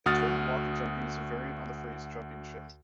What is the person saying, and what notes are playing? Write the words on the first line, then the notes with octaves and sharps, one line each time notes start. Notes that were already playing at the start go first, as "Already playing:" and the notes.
The term waka-jumping is a variant on the phrase "jumping ship".
D2 F#4 D#6 F6 A6